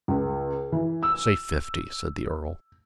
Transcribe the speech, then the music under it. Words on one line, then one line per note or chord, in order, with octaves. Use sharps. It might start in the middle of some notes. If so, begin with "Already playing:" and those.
"Say fifty," said the earl.
C#2
E3
E6